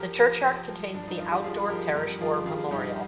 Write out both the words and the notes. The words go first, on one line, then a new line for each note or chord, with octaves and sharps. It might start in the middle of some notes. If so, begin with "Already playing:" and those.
The churchyard contains the outdoor parish war memorial.
Already playing: F3 G4 A#4
F3
F3
F3
G2 D4
D#4
F3 F4
G4
F3 F4 G#4
F3 G4 A#4
G2 G4 A#4
F3 F4 G#4
G2 F4 G#4
G2 D#4 G4